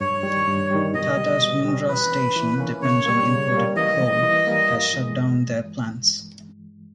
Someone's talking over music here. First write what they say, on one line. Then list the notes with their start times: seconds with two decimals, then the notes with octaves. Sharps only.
Tata’s Mundra station depends on imported coal has shutdown their plants.
0.01 G2 C#5
0.23 D#3 G3
0.47 G2
0.71 D#3 G3
0.94 B2 D#5
1.17 G3 C#4
1.42 B2
1.65 G3 C#4
1.88 E3 B4
2.12 A#3 C#4
2.36 E3
2.58 A#3 C#4
2.82 C#3 C#5
3.06 G3 A#3
3.29 C#3
3.52 G3
3.57 A#3
3.76 E3 D#5
4.00 G3 A#3
4.23 E3
4.47 G3 A#3
4.70 G2
4.93 E3 G#3